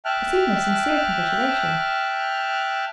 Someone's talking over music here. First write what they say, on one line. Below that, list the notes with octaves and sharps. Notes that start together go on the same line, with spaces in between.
"Receive my sincere congratulation."
E5 G5 A5 F6 F#6